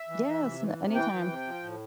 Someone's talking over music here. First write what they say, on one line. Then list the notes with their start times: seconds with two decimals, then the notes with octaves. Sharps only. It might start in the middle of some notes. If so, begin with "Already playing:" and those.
Yes. Na anytime.
Already playing: E5
0.09 E3
0.26 E3
0.42 C3
0.60 E3
0.78 C3
0.94 E3 G5
1.12 E3
1.28 C3
1.47 F3
1.64 A2